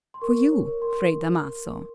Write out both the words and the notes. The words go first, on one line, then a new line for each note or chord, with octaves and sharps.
"For you, Fray Damaso."
C6
A#4 C#6
A#4
C#5
A#4
A#4 C6
A#4